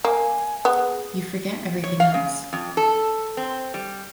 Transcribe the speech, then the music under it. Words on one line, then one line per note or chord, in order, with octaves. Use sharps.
You forget everything else.
A#3 G#5
B3 G#4
C#5
F5
C#3
F2
A4
C4
G3